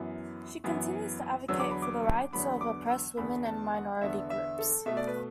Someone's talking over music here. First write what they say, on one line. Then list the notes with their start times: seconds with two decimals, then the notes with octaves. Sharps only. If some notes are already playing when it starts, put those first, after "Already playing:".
She continues to advocate for the rights of oppressed women and minority groups.
Already playing: F#2 E3 B3
0.64 F#2 E3 B3
1.48 E2 D3 F#3 B3 E6
1.60 D6
1.71 B5
1.82 D6
2.33 E2 D3 F#3 B3 B5
2.61 D6
2.90 E6
3.17 E2 D3 B3 B5
3.46 A5
3.74 F#5
4.01 E2 D3 B3 E5
4.30 E5
4.59 A4
4.86 B2 A3 E5
4.97 D5
5.07 B4